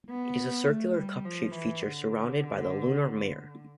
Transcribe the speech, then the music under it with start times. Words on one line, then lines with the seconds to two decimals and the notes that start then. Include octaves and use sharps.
It is a circular, cup-shaped feature surrounded by the lunar mare.
0.10 B3
0.68 A3
0.97 G3
1.25 F3
1.54 E3
1.82 D3